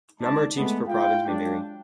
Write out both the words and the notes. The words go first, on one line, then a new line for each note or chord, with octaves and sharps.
Number of teams per province may vary.
G#3 D#4 D5 A5
G#3 A3 B3
F4 F5 G5
F#3 G#3 D4